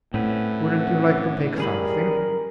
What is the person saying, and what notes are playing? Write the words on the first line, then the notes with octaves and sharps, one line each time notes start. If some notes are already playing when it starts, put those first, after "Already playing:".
"Wouldn't you like to take something?"
A2 C4 C#4 B4 F#5
G3 C#4 G#4 A#4 B5